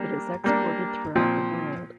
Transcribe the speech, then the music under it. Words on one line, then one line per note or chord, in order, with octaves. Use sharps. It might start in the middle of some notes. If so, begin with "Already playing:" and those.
It is exported throughout the world.
Already playing: G3 A#3 D4
G3 A#3 D4
A#2 F3 C4